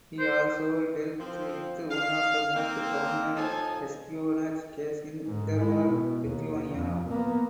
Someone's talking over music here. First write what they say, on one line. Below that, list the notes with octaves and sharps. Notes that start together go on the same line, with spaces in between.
He also dealt with one of the most prominent espionage cases in interwar Lithuania.
C5
F3 C4
F5
A#3 C4
A2 F3 D#4 A4 G#5 A5
G#2
G#3 E4
B2
D#2
F2
A#3 B3